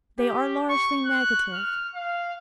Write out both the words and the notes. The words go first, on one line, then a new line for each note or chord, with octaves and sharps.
They are largely negative.
G4
C#6
F#6
F6
F5